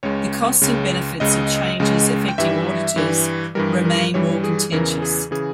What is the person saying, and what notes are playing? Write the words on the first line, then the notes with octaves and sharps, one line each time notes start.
The costs and benefits of changes affecting auditors remain more contentious.
C#2 C#3 G#3 C#5
C#2 C#3 G#3
C#2 C#3 G#3 D#5
C#2 C#3 G#3
G5
G2 E3 G3 E5
G2 E3 G3
G2 E3 G3 A#4
A#4
G2 E3 G3 C#5
G#4
E2 C#3 E3 A#4
G#4
C#3 E3 G#4